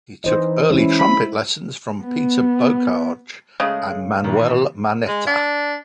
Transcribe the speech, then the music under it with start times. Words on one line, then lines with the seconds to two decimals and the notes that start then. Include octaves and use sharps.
He took early trumpet lessons from Peter Bocage and Manuel Manetta.
0.24 E3 D#4 C5 D#5
0.70 G#3 C#4 E4
0.99 B5
2.04 B3
3.60 C#3 G#3 A3 G#4
4.24 A#2 D#3 E3 B4
5.08 G#3
5.27 D4